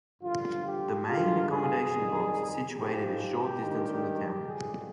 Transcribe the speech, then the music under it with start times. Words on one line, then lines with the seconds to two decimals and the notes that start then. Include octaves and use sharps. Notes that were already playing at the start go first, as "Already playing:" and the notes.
The main accommodation blocks are situated a short distance from the town.
0.22 G2 D3 F3 F4
0.65 G4
1.07 G2 D3 G#3 F4
1.49 G#4
1.92 F2 D#3 G3
2.77 G#2 F3 G#3 G4
3.62 G2 D#3 G3
4.46 G2 D3 F3 G#4